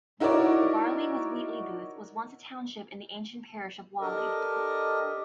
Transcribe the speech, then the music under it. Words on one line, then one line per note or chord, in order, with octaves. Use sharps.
Barley-with-Wheatley Booth was once a township in the ancient parish of Whalley.
D#4 E4 F#4 A#4 C#5 D5
D4 G4 A4 A#4 D#5